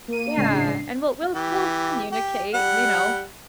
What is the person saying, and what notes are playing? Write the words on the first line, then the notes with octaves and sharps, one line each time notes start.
Yeah, and we'll we'll we'll communicate, you know,
A#3 D#7
G#1 A2 C#3 G#3 D4 C7
E3 G4
G4
G3 F#5